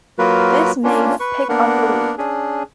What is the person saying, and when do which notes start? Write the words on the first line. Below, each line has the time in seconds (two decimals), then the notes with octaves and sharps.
This made pick of the week.
0.19 F#3 A#3 F4 F#4 A#4 B4
0.84 A#3 C#4 D4 F4
1.20 B4 C#6
1.49 A#3 B3 D4 A#4 F#5
2.18 C#4 D4 G#4